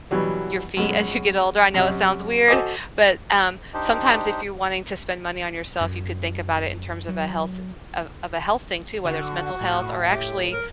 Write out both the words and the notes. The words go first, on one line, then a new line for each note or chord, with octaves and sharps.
your feet as you get older; I know it sounds weird, but, um, sometimes if you're wanting to spend money on yourself, you could think about it in terms of a health of of a health thing too, whether it's mental health or actually
B2 E3 F#3 G3
F#2 B2 G#3
F#2 C3 D#5
F#4 A4 C5 D#5 G#5 D6
D4 D#4 G4 C5
F#2
F#3
D3 F#4
A2
G4
A#4